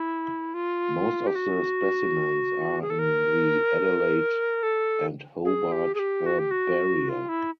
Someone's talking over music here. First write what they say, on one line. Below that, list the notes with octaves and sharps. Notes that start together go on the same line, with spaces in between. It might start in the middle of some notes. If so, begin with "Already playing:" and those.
Most of the specimens are in the Adelaide and Hobart herbaria.
Already playing: E4
F4
G4
F#4
G#4
A4
A#4
A4
G#4
G4
G#4
G4
F#4
G4
F#4
F4
E4